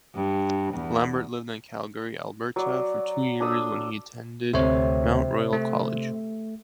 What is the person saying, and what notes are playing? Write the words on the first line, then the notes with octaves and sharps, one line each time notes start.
Lambert lived in Calgary, Alberta for two years, where he attended Mount Royal College.
G2
E2
F#3 D5
D4 A4 D#6 E6
D2 C3 A3 C#5
A3